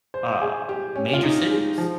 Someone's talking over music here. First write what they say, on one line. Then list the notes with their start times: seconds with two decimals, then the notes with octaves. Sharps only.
uh, major cities.
0.14 C5
0.41 G#4
0.69 G4
0.96 C#4
1.13 F4
1.23 D#4
1.51 G#3
1.78 F3